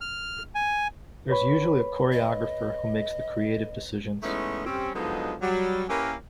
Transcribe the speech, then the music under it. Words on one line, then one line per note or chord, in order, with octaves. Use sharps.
There is usually a choreographer who makes the creative decisions.
F6
G#5
B4 C#5 B5
D#5
E3 G#3 A3 B3 C#4 D#4
G3 C4 C#4
D3 F3 F#3 G#3 B3 D#4
F#3 G3
A#3 C#4 E4 G4 A#4 B4